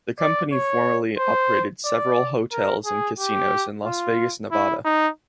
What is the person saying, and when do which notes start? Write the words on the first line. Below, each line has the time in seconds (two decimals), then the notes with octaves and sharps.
The company formerly operated several hotels and casinos in Las Vegas, Nevada.
0.19 D5
0.52 C#5
1.18 C5
1.85 D5
2.52 A#4
2.86 G#4
3.19 G4
3.85 F4
4.52 E4
4.85 D#4